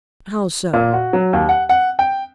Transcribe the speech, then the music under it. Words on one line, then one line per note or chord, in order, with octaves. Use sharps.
"How so?"
A#2
F#4
F#3
D#2
F#5
F#5
G5